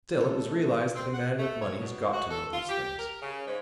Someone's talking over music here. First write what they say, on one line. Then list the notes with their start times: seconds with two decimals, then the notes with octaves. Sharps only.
Still, it was realized that a man with money has got to know these things.
0.21 B2 G#3 A3 A4
0.95 C4
1.13 F#5
1.39 A3
1.62 C#5
1.81 B2
2.13 F#4
2.30 A4
2.53 F4
2.69 G4
2.97 A#4
3.22 C#3
3.47 G#2